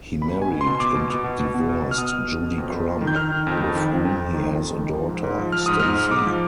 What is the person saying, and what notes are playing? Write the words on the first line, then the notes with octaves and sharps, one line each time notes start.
He married and divorced Judy Crump, with whom he has a daughter Stacy.
B2 B5
B2 G#5
B2
C6
B2
C6
B2 D6
B2
B2
B2
B2
B2
B2
B2
F6
B2 D#6
B2
B2
B2
F2
F2
F2
D#3
G6
D#3 F6
D#3
F2
F2
D#3
F2
F2
F2
D#3
F2
F2
D#3
F3
G#2
G#2
F3
F3 F6
G#2 D#6
G#2 F6
G#2
G#2 D6
F3